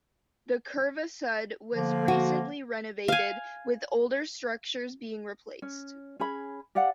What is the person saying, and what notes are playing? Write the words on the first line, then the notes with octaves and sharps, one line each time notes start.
The Curva Sud was recently renovated, with older structures being replaced.
D3 F3 A#3
F#4
F5 G#5
C#4
C#4 G#4 B5
G4 D5 F5 F#5